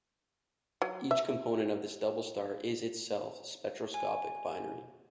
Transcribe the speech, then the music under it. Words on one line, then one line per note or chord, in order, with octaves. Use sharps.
Each component of this double star is itself a spectroscopic binary.
F#3
E5
G#5